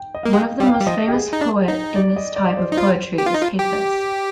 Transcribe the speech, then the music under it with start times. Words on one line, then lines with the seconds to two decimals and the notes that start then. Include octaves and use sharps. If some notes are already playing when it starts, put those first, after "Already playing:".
One of the most famous poet in this type of poetry is Hafez.
Already playing: G5
0.15 D#5
0.23 A#3 F5
0.33 G#3 G5
0.60 G3 G5
0.67 F5
0.74 G5
0.80 G3
0.86 F3 D#5
1.08 G4
1.14 G#4
1.33 D#4
1.41 D4
1.68 D#4
1.96 D5
2.16 D#5
2.36 D5
2.57 C5
2.72 D#4
2.77 F4 C5
3.18 G4
3.26 F4
3.34 D#4
3.42 F4
3.59 G4